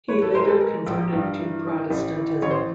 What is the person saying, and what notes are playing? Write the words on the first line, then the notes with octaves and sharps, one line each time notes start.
He later converted to Protestantism.
E3 B4 C#5
A4 B4
G#3 A#4 C5
A4 B4
G#3 A#4
A#1
G2
E3
E3
A1
E3
A1 C#5
C5